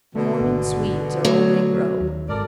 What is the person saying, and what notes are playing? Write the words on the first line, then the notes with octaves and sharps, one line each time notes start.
Corn and swedes are all they grow.
B2 D3 A3
G#1 B3 D4
F#3 A3
D#2
G1 G#2 A4 A#4 D5